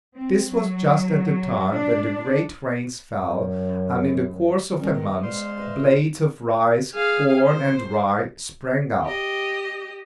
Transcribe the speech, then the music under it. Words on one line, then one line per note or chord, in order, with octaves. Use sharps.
This was just at the time when the great rains fell, and in the course of a month, blades of rice, corn, and rye, sprang up.
C4
F#3
D4
F#2
D#3 G3 C#4 D#4 G#4
B3 D#5
G#3 C5 D5 F5 C6
B4 D#5 E5
A#2
G#4 F5
C5
G4 D#5